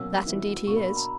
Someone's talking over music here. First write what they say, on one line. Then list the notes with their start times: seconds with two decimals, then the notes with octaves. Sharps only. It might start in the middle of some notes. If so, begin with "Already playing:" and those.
"That indeed he is."
Already playing: B2 F#3 A#3 C#4 E6
0.27 E3 B3 F#4
0.66 B2 A#3 D4 F#4 C#6
0.77 B5
0.87 B5
0.97 A#5